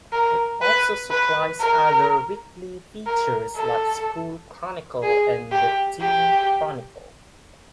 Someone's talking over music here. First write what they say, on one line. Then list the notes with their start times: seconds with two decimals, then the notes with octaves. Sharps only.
It also supplies other weekly features like "School Chronicle" and "Teen Chronicle".
0.13 A#4
0.62 B4
1.11 B4
1.60 A#4
3.06 A#4
3.56 A4
5.03 G#4
5.52 G4
6.01 G4